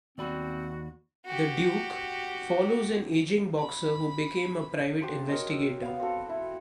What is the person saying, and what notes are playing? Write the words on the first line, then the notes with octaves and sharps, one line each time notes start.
"The Duke" follows an aging boxer who became a private investigator.
D#2 C4 F#4 D5 B5
F#4 G4
B5
F#4 G4 C5 A5
A#4 C#5 D#5 C6
E6
B3 F5
C4 F#4 A4
E4